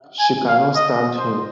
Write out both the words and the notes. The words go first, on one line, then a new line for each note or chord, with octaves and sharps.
She cannot stand him.
G#5
F5
D#5
C5